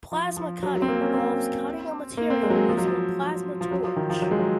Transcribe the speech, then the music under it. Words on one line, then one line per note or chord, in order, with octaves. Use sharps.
Plasma cutting involves cutting a material using a plasma torch.
F3
F3
F#3
F#3
C4
A#3
C#4
C4
A#3
C4
G#3
F#3
G#3
F3
F#3
F3
F3
F#3
F3
D#3
F3
F#3
G#3
F#3